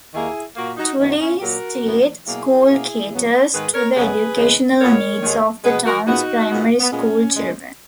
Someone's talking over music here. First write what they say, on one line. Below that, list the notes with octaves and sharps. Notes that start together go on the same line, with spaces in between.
Tully State School caters to the educational needs of the town's primary school children.
D#2 D#3 A#3 E4 G#4
A#2 A#3 F#4 A#4
D#4 F#4
F#2 D#3 F#3 A#3 B3 D#4
C#4 E4
A#2 F#3 A#3 F#4 A#4
F#2 C#3 E3 B3
B2 F#3 A#3 E4 G#4
B2 A#3
E2 C#3 F#3 B3
G#2 D#3 G#3 G#4 B4
A#4 C#5
F#2 C#3 F#3 B3 G#4 B4
E2 C#3 G#3 B3
A#2 F#3 B3 A#4 C#5
D#2 D#3 G#3
B2 G#3 B3 G#4 B4
F#4 A#4
A#2 G#3 B3 D#4 F#4
A#2 G#3 B3
B3
A#2 G#3 B3 C#4
E2 C#3 G#3